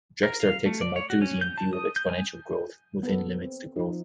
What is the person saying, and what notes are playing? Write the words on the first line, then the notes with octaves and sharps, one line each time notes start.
Drexler takes a Malthusian view of exponential growth within limits to growth.
A#4
F5
A3
D5
C#5
F#4
C#4
G6
A5
D#6
G6
G#5
B3 A4
B3
C4
F3 D#4